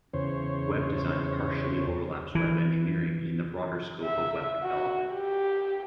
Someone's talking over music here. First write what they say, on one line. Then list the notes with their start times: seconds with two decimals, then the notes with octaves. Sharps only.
Web design partially overlaps web engineering in the broader scope of web development.
0.13 E2 C#3 C5 C#5
2.35 E3
4.04 E5
4.63 F#4
5.14 G4